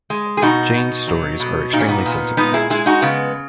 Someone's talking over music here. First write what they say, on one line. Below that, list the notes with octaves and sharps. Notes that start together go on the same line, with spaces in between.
Jane’s stories are extremely sensible.
G#3
G#4
B2 D#4 F#4
B2
F#3
B2
A#2 D#4
C#4
B3 D#4
A#2
G#3 B3 D#4
E4 G#4
G#3 E4 G#4
D#4 F#4
C#3 B3